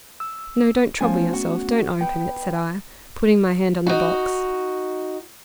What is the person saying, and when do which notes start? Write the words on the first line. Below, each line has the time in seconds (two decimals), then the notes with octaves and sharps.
"No, don't trouble yourself--don't open it," said I, putting my hand on the box.
0.20 E6
1.01 F3 A3 B3 C#4 G#5
1.33 F#4
2.01 B3 G5
3.87 D#4 F#4